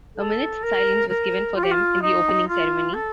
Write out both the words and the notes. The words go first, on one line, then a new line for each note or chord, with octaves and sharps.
A minute's silence was given for them in the opening ceremony.
A4
A#4
A#4
F4
G4
F4
D#4
F4
A4